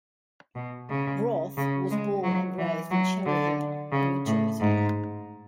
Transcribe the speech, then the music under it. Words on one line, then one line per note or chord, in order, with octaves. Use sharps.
Roth was born and raised in Cherry Hill, New Jersey.
B2
C#3
C#3
G#3
F#3
E3
F#3
D3
C#3
A2
G#2